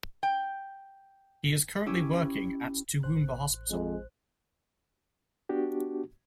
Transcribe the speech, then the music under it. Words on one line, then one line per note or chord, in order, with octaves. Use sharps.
He is currently working at Toowoomba Hospital.
G5
C#4 E4 G4
A1 C5 F#6
F2 G#3
B3 D4 F#4 G4